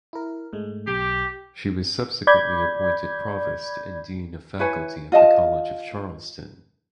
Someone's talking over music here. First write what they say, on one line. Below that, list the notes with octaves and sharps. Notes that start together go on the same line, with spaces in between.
She was subsequently appointed provost and dean of faculty at the College of Charleston.
E4 A#4
G#2 G#3 A3
B1 G4 C7
D5 B5 G6 G#6
E4 B4 C#5 G#5
F4 D#5 E5 A5